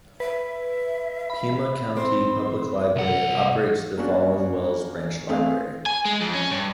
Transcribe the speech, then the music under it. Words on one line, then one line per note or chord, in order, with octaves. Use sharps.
Pima County Public Library operates the Flowing Wells Branch Library.
B4 E5
B5
C4 C6
C2 F#5
A#3 C#4 D4 F#4
A3 C4 G#4 F5
G#5
G#3
F2
C#4
G2